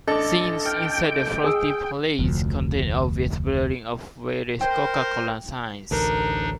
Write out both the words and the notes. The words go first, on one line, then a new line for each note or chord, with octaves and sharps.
Scenes inside the Frosty Palace contain obvious blurring of various Coca-Cola signs.
A1 D4 A4 D#5 D6
G5 F6
G#4 E6
F1 D2 F3
A#4 C5 G5
A1 D2 D4 D#4 A#4